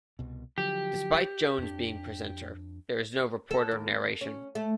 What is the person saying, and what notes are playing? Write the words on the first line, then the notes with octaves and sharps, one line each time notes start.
Despite Jones being presenter, there is no reporter narration.
C2 B2
D3 F3 F#3 G4
F2 D4
A4
D#2
C#4
A3